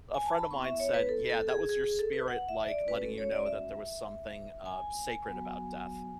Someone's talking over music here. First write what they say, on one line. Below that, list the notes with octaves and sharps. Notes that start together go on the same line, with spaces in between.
a friend of mine said, "Yeah, that was your spirit, like, letting you know that there was something, uh, sacred about death,
G#5
A5
B5
B3 E4 C#6
E5
C#5
B4
A4
A4
G#4
G#4
G#4
A4
B4
F#5
E5
D5
G#3 C#4 F#4 B4
A4
C#5
D5
E5
G#5
F#3 B3 F#4